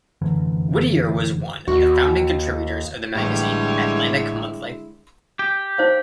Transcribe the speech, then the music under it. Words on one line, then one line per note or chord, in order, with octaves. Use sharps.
Whittier was one of the founding contributors of the magazine "Atlantic Monthly".
F1 F#2 D3 E3
D#2 F#4
A1 D3 G3 G#3 E4 C#5
G4
D#4 C5 F5